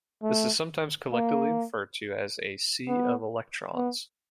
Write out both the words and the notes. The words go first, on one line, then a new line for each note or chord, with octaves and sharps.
This is sometimes collectively referred to as a "sea of electrons".
A3
A#3
B3
B3